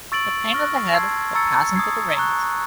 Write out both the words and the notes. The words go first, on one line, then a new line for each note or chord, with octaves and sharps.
The pain in the head would pass into the rings.
C#6 E6 A6 D7 F#7
C#6 F6 A#6
A5 C6 E6 G#6 C7
A#5 C#6 E6 A6 C#7
D#6 G#6 C7
A#5 C#6 F#6